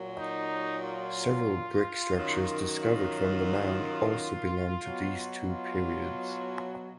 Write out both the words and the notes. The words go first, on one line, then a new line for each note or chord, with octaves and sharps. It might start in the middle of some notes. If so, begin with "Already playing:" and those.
Several brick structures discovered from the mound also belong to these two periods.
Already playing: A#2 F#3
D#4
F4
F#2 D#3 F#3
F4
B2 F#3
F4